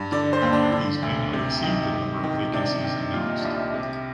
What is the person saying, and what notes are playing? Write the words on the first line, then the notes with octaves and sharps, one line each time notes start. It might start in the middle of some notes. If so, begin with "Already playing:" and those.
These may not exceed the number of vacancies announced.
Already playing: G2
D3 D5
C5
D#2
D4
D3
D2
C3
D#3
C3
D#3
C3 D4
D#3
A#2 F4
D#4
D4
C2
D#4
C3